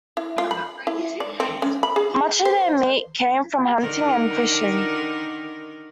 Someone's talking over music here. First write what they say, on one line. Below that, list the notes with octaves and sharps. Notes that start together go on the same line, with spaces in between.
Much of their meat came from hunting and fishing.
E4
F4
B5
E4
D5
C4
C#4
B5
G#4
C5
D3 D#3 A#4